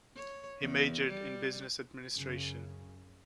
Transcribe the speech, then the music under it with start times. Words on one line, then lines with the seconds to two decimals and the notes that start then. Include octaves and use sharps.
He majored in business administration.
0.16 C#5
0.60 E2
1.09 G3
2.12 F#2 C#3